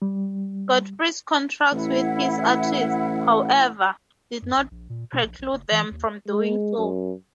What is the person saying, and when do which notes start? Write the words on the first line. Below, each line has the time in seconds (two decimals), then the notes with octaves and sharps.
Godfrey's contracts with his artists, however, did not preclude them from doing so.
0.02 G3
1.72 A1 E4 F#5
4.42 F#2
4.57 A1
4.71 A#1
4.90 A#2
5.13 B2
5.24 A#1
5.39 A#1
5.52 F#1
5.72 E3
5.91 D#2
6.27 G#3
6.76 F#2